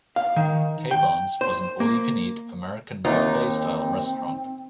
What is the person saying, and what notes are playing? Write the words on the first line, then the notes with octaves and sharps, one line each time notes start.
Taybarns was an all-you-can-eat American buffet-style restaurant.
F5
D#3
G5
C5
A#3
D#2 C4 D#4